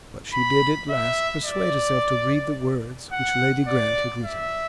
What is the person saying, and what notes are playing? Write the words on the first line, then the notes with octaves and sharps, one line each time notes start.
But she did at last persuade herself to read the words which Lady Grant had written.
B5
E5
D5
F#5
D5
E5